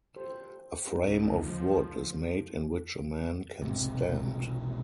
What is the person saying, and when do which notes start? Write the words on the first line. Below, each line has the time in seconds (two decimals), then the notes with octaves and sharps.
A frame of wood is made in which a man can stand.
0.16 G4 A4 C5
0.86 C#4 G4
1.07 C#2 D3 D#4 E4
1.43 F3
3.62 E1 B1 G#2 C3